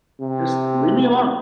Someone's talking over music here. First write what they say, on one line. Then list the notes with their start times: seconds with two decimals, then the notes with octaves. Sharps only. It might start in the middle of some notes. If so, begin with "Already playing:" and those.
Just leave me alone.
0.20 C3